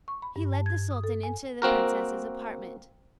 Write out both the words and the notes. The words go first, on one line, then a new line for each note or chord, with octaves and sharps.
He led the sultan into the princess's apartment.
C#6
B5
G2
A5
G#6
D#6
A4
G#5
A#3 C4 F#4 A#4